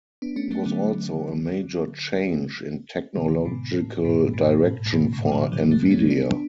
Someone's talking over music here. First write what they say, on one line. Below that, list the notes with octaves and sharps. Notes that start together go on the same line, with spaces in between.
It was also a major change in technological direction for Nvidia.
B3 D4
A3 C#4
F#3 A3
D3 F#3
B2 D3
G#2 B2
A2
G#2 B2
G#2 B2
A2
A2
G#2 B2
A2 C#3
D3
C#3 F3
D3 F#3
F#3 A3
C#4
G#3 B3
B3 D4